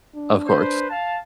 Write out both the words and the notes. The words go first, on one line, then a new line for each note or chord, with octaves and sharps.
Of course.
D4
B4 C5
F5 A5